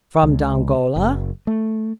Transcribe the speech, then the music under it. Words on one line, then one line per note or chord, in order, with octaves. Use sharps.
"From Dongola?"
C#2
F#1
A3